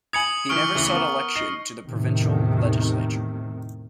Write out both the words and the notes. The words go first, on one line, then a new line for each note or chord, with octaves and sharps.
He never sought election to the provincial legislature.
G#5 B5 D#6 G#6 C#7 F#7
F#1 E3 C#6 F6 D7
D2 C#3 E3
B3 A#4
D#4 A#6 C7
E2 A2 C3 D#3